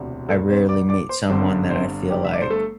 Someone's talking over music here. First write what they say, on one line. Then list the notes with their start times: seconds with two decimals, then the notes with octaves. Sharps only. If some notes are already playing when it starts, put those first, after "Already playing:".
I rarely meet someone that I feel like,
Already playing: E1 D2 C3
0.29 A3 A4
0.49 C4 C5
0.69 D5 D6
0.89 D5 D6
1.09 C5 C6
1.30 G1 G2 D3 C4 C5
1.70 C4 C5
2.10 G4
2.25 E5
2.33 D5
2.42 C5
2.50 A3 A4